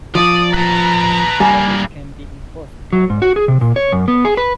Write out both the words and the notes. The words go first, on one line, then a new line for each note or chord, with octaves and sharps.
All these can be enforced by a preceding "doch".
F3 D5 D#6
B4 A5 A#5
G2 G3 A#3 G#5
F#3
G#2
F#4
G#4
C3
A#2
C#5
F#2
B3
G#4
B4